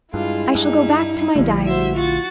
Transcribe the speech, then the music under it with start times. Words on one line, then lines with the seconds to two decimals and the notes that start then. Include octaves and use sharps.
I shall go back to my Diary.
0.14 G2 G#3 E4 F4
0.55 G2 G3 D#4
1.36 A#1 D3 F3 G3 A3
1.66 F#4 C5 E5
1.95 F4 F#4 A6